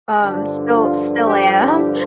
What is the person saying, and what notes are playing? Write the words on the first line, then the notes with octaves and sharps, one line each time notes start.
um, still still am.
G2 D3 F3 D4
F4
G4